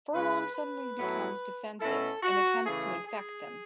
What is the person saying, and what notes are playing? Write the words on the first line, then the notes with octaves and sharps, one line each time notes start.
Furlong suddenly becomes defensive and attempts to infect them.
C#3 G#3 C#4 B4
B4
A2 F#3 B3 E4
B2 A3 C#4 E4 A4
F#4
C#3 E3 A3 G#4
G#4